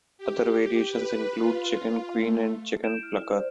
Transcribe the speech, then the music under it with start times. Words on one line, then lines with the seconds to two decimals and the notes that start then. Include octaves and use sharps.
Other variations include chicken queen and chicken plucker.
0.18 G4
0.88 B4
1.36 F4
2.16 A3
2.83 G6 D7 E7
3.00 E4 F6
3.34 C5 D5